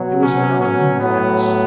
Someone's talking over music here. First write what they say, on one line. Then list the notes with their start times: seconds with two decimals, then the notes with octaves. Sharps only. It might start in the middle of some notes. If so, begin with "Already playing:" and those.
It was in another wing of the house.
Already playing: B2 F#3
0.21 C#4
0.61 C#4
1.00 A2 F#3 B3